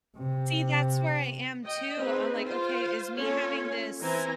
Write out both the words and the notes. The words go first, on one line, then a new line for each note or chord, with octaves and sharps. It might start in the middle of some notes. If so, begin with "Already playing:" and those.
See, that's where I am too, I'm like, okay, is me having this
C3
D#5 G5
C4 D#4 G#4 B4
F4 C5
A#3 C#4 F4 A4 C#5
E3 C4 E4 G#5 A#5